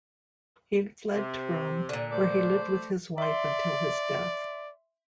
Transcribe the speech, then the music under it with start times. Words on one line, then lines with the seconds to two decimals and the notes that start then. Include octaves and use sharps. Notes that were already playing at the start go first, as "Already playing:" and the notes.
He fled to Rome, where he lived with his wife until his death.
1.13 C3
1.89 A#2 D3
2.11 A3 C5 D5
3.18 D5 E5 C6